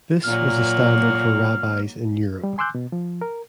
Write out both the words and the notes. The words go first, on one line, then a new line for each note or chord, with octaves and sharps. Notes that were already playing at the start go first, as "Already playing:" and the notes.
This was a standard for Rabbis in Europe.
A#2 F#3 A#3 F6
G3
G#5 C6 D6 E6 F#6 G6
B2
F3
A#4